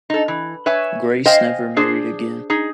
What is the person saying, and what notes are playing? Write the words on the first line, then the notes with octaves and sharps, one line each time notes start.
Grace never married again.
D#4 A4
E3
B4 C#5 E5 G#5
C5 D#5 F5 G5 G#5
D4 G#4 C5
D#4 G#4